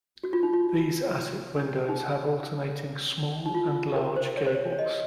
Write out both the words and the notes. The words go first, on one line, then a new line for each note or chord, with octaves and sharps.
These attic windows have alternating small and large gables.
F#4
F4
D#4
F4
D#4
D#4
F4
A#4
C5
C#5
C5
C#5
C#5
D#5